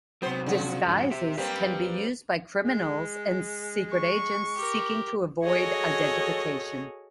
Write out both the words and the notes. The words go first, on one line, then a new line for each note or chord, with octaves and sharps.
Disguises can be used by criminals and secret agents seeking to avoid identification.
C3 F#3 B3 C4 C5
C#3 F3 F#4
F2 G#2 D4
G4 C5 E5
G3 A#3 C4 G4 B4
G#3
C#6
G4 A#4
F#4 G#4 A4 C#5 D#5 C#6